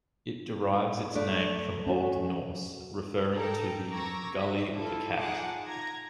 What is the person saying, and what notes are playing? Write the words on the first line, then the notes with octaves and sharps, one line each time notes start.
It derives its name from Old Norse, referring to the 'gully of the cat'.
A3 D4 D5
C#4 F#4
A4 A#4 G5 A5 A#5
A#5 C#6 D6 E6 G#6 A#6
F#4 C5 E5
E4 F4 A4
D#4 F4 G#4 F#5 A5 D6
A#5 G#6 A#6